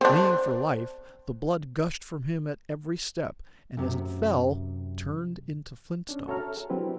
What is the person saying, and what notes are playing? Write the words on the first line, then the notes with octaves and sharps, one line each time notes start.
Fleeing for life, the blood gushed from him at every step, and as it fell turned into flint-stones.
C4 D4
F#2 C3
C#4 D4
F#4 A4 C#5 E5 A#5 F6
A4
G#4
F#3 C4 D4 E4 G4 B4